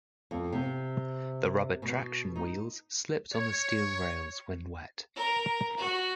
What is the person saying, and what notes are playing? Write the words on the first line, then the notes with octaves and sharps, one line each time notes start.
The rubber traction wheels slipped on the steel rails when wet.
F2
C3
B2
D#4
C#5
A#4
F#4